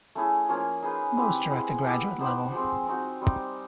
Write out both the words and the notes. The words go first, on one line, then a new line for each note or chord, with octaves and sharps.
Most are at the graduate level.
A3 C#4 E4 G#4
F3 A#3 C#4
D#4 G#4 B4
C4 E4 G4 B4
G#3 B3 E4
B3 E4 G4 B4
B3 D#4 G4 C5
F3 G#3 C4
C4 D#4 F#4
G3 C4 D#4